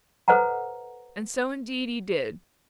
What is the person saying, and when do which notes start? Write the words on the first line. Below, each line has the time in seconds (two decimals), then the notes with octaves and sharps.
And so indeed he did.
0.28 A4 B4 C5 D#5 F#5 A#5